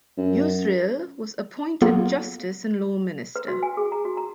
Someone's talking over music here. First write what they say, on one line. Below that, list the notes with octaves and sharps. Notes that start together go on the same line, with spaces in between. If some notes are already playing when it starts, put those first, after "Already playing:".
Yusril was appointed justice and law minister.
F#2
F#3 A#3 B3 F4 G#4 A4
B4
F#4
G#5
G#4
A#5
F#4
A#5